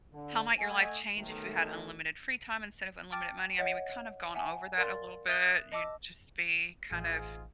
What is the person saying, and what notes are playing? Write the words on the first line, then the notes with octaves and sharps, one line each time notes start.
How might your life change if you had unlimited free time instead of unlimited money? I mean, we've kind of gone over that a little bit. You'd just be kind of
D3
A3 D#5 F#5 G#5
B1 B2 D#3 A3
G5 A5 D6 F6 A6 D7
C#5 D#5 F#5
E5 F#5 G#5 A5
A#4 D5 F5 C6 A6
E5 D#6 F#6 D7 G7
D#5 A5 D6 E6
A1 G#2 F4 G#4